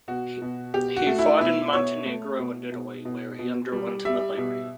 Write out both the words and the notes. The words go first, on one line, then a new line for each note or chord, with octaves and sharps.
He fought in Montenegro and Italy where he underwent malaria.
B2 F#4
B2
B2 G4
F#4
A3
E4
B2 E4
B2 C#5
A3
B2
B2
B2
B2
G3
G3 E5
B2